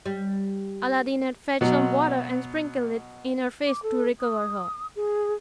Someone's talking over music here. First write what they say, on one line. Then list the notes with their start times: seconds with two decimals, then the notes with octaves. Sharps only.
Aladdin had fetched some water, and sprinkled it in her face to recover her.
0.06 G3
1.61 B2 F#3
3.67 D6
3.82 A4
4.19 D#6
4.95 G#4